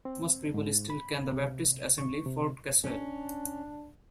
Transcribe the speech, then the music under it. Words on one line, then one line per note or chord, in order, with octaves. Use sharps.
Most people still call the Baptist Assembly "Fort Caswell".
C4
G#2
B5
C3
C#6
C3
C#4 D4